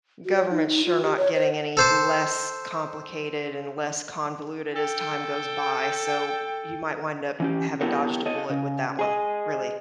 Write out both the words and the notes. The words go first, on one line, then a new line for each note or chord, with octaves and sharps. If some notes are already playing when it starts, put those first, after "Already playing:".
government's sure not getting any less complicated and less convoluted as time goes by, so, you might wind up having dodged a bullet with that one really.
F#4
C#5
D#4
D#4
F4
G4
C#5
C5
A4 C5 D6
A4 G5
E3 C#4 G4
B3 E4 G4 A4 A#4 C#5
A4 C#5 D#5
C#3
G#4 D#5